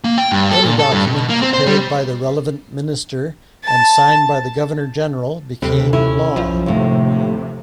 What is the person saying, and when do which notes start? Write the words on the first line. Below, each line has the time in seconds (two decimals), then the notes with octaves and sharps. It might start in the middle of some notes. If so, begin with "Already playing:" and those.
Any document prepared by the relevant Minister and signed by the Governor-General became law.
0.04 A#3
0.18 G5
0.32 G2
0.51 A4
0.64 A#2
0.79 A4
0.92 G2
1.07 B2
1.29 A#3
1.41 C4
1.54 C5
1.67 G3
3.64 A5
5.62 D#2 C3 A4 B4 G5
5.93 C#4 E4
6.36 B1 F3
6.66 D#2 A2 C3